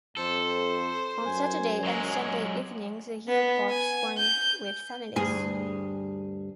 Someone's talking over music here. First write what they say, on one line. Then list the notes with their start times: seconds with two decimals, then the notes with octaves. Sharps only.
On Saturday and Sunday evenings the hill park swarmed with families.
0.17 F2 A4 C5
1.26 F#2 G#5
1.85 F#3 G#3
3.28 B3
3.70 G#5
4.18 G6
5.16 D2 G2 G#4